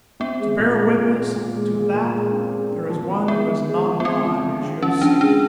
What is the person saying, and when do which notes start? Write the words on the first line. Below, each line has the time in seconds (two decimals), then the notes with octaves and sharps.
To bear witness to that there is one who is not alive, as you have seen.
0.20 B3 C4
0.40 G#3
0.59 A#2
0.78 G#3
0.98 A#2
1.17 G#3
1.36 A#2
1.55 G#3
1.74 G#3
1.94 A#2
2.13 G#3
2.32 C4
2.51 G#3
2.71 C4
2.89 F3
3.09 F3
3.28 G#3 B3
3.47 F3
3.67 G#3
3.86 F3
4.00 B3
4.05 G#3 C4
4.25 F3
4.44 F3
4.63 C4
4.82 F3 C#4
5.01 F3 D4
5.21 G#3 D4